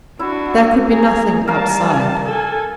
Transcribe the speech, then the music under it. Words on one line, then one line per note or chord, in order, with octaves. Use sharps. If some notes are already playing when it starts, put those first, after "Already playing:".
There could be nothing outside.
D4 E4 F#4
G#4 A#5
G3 A#4 F5 A5
A4 G#5